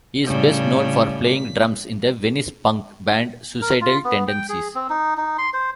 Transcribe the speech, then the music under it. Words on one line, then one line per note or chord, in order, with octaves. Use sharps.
He is best known for playing drums in the Venice punk band Suicidal Tendencies.
A2 C#3 G3
A#4
F4
B3
G5
G#4
C4
D#4
D#4
C6
C5